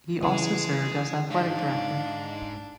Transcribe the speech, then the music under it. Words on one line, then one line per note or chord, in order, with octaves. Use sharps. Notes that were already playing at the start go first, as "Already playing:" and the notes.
He also served as athletic director.
C#3 E3 G#3 G#4
G#2 G#3 D4 F5